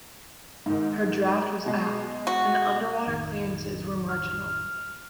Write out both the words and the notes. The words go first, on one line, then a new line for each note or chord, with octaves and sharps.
Her draft was aft and the underwater clearances were marginal.
G#2 D#3
B2 G#3
F#4
A1 F2 D#3
F6